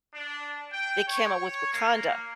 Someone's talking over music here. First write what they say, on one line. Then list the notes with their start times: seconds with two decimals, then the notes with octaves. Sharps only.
they came out with Wakanda,
0.13 D4
0.72 G5
1.07 C#5
1.73 A#3